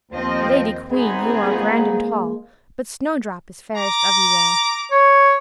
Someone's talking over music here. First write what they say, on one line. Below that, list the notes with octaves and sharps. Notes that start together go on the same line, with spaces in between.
"Lady queen, you are grand and tall, But Snowdrop is fairest of you all."
D#2 F3 C4 D#5
G#1 B3 C4 D#4 G#4
G#3 A#3
A#5 D6
C#5